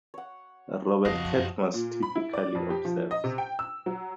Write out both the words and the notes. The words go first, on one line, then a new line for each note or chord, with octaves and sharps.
Robert Cadmus typically observes.
C#5 F#5
F2 C#3 F#4 D#5 F5 A#6
F#2
A#2
B5
E4
D5
F2
G4
F3
D#5
C3
G5
E6
F#3